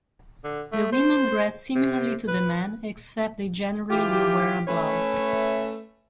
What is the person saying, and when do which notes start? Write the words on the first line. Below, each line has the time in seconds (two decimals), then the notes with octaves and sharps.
The women dress similarly to the men, except they generally will wear a blouse.
0.44 D3
0.72 A3
0.92 C5
1.75 C3
2.28 B4
3.91 E3 F4 G4
4.68 A3 C#4 B4 C#5 E5